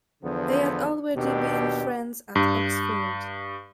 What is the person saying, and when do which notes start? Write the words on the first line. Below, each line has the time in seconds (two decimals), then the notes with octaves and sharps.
They had already been friends at Oxford.
0.23 E2 D3 F3 B3
1.16 D#2 B2 D4 G4
2.35 G2